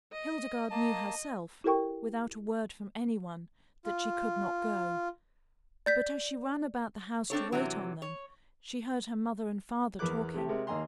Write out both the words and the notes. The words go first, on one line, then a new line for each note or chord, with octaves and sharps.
Hildegarde knew herself, without a word from any one, that she could not go; but as she ran about the house to wait on them, she heard her mother and father talking.
D#5
A#3 D#5 A5
E4 G4 A4 A#4 G5 C#6
F4
D5 G6 B6
C4 D4 A4 C#5
C3 E3 F#3
C#5
E2 B3 A#4 B4 D6 F#6
C3 A3 G4
C3 G#3 A#4
D#2 A#3 D#5 G#5 A#5 C6